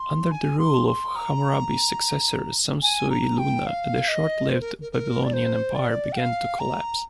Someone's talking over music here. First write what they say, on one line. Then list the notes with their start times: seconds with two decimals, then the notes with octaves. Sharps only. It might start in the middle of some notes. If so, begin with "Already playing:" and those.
Under the rule of Hammurabi's successor Samsu-iluna, the short-lived Babylonian Empire began to collapse.
Already playing: C6
0.31 G#5
0.59 C6
0.87 C6
1.15 A#5
2.82 G#5
3.10 A#5
3.38 G5
3.66 F5
4.08 D#5
4.49 C5
4.60 A#4
4.81 A#4
4.92 A#4
5.24 D5
5.33 C5
5.74 D5
6.12 G5
6.17 F5
6.59 A#5